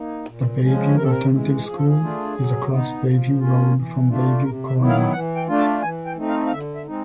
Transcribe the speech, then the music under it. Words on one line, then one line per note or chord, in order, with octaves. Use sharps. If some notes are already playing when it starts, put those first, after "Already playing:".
The Bayview Alternative School is across Bayview Road from Bayview Corner.
Already playing: A#3 D#4
A#2
F3 G#3 C#4
C3 A#4
A4
A#4
E3 G#3
F3 G#4
A4
G#4
A3 D4 F4
F#3
B3 D#4
F3
A#3 C#4 F4
E3
A3 D4 F4
C3 A#4
E5
D#3 F#3 B3 E4
F5
E3 F#5
G5
A3 D4 F4
A5
E3 G#5
G5
A3 C4 D#4
F5
F5
D3 E5
E5
G#3 C4 D#4